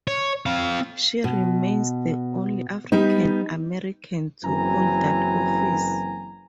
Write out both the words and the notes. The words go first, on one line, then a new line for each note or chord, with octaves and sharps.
She remains the only African American to hold that office.
C#5
C4 F5
B2
G3 B3 D#4
F#1 F#2 E3 C4 G#5 A#5